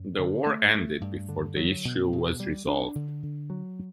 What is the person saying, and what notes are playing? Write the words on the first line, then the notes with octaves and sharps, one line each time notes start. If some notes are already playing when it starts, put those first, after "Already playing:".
The war ended before the issue was resolved.
Already playing: F#2
D3
A3
A3
G2
D3
F#3
B2
B2
G3
D4
D3
D3
F#3